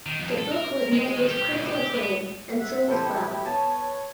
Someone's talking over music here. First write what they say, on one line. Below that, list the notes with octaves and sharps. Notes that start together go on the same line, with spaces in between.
The book was met with critical acclaim and sold well.
D#3
F2
A4
A#4
G#3
D#3
G4
C#2
G4
B3
E5 F#5
F3 A3 E4 G4 A4
B3 C#5 A5